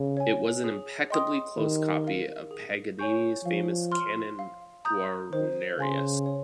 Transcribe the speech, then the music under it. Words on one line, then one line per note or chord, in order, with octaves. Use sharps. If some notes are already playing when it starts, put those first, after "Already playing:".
It was an impeccably close copy of Paganini's famous Cannone Guarnerius.
Already playing: C#3
C#5 G#5
G#4
D#5 G5 C6 D#6
D#3 G4
A#4 F5
G#4
C#5 G#5 C#6 G6
F3 F5
C6 F6
F5
A#5 D#6 G6
D#3 C5
C#3 F5 G#5 C6
C#5